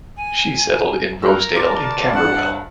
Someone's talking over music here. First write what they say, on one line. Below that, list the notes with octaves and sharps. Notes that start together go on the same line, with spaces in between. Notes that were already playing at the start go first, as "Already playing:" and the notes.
She settled in Rosedale in Camberwell.
G#5
A#4 E6 F#6
D5 A5 C6 D6 A6
G2 F#5